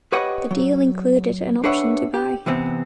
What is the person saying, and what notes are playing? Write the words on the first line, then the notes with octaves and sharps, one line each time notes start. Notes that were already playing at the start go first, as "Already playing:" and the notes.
The deal included an option to buy.
G4 B4 C#5 D#5 F#5
F#3
D4 G#4 B4 C#5 E5 F#5
G4
C3 E3 B3 C4